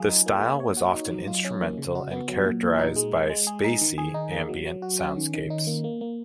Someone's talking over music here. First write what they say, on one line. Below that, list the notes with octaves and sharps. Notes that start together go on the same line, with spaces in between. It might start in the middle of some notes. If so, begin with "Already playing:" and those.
The style was often instrumental and characterized by "spacy," ambient soundscapes.
Already playing: F#3 F4 G#4
D#4
A#3
A#3
C#5
F#4
D#4
F#3
F4
C#4
A#3
C#3
F#4
B3
F#3
A#2
A#2
D#4
G#3
G#3
G#3
G#4
D#4
D#3
G#4
D#4
A#3
F#3
F#3
F#4
C#4
D#3
D#3
D#4
A#3
A#3
A#3